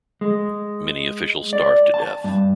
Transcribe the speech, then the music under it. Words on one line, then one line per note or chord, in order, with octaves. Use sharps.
Many officials starved to death.
G#3
D5
A5
G2